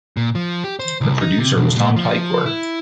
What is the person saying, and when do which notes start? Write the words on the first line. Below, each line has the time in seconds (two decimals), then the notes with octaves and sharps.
The producer was Tom Tykwer.
0.17 A#2
0.35 F3
0.64 G4
0.79 C5
1.01 C2
1.21 D#4
1.38 C3
1.56 B1
1.76 A#2
1.96 F3
2.46 E4